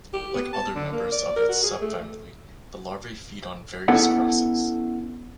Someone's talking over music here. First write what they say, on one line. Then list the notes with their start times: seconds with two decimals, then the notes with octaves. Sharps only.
Like other members of its subfamily, the larvae feed on various grasses.
0.13 G4
0.34 B3
0.53 A5
0.75 D3
0.92 A#3
1.12 D5
1.36 A#4
1.49 F#4
1.63 G#4
1.81 A3
3.88 B3 C#4 E4 A4 F#5